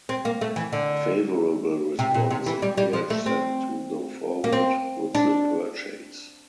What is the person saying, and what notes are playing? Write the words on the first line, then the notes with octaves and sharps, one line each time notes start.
Favorable response encouraged them to go forward with the purchase.
C4
A#3
A3
E3
D3
C3
A#2
C3
E3
G3
G3
F3
A3
C4
A#3
C4
D4